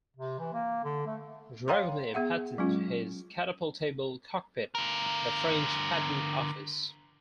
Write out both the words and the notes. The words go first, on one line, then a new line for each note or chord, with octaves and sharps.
Dragomir patented his "catapult-able cockpit" at the French Patent Office.
C3
E3
A#3
D3
A3
C#5 F5 G5 A#5 C6
B3 G#4 E5 F#5
F#3 G#3 C#4 F4
D3 A#4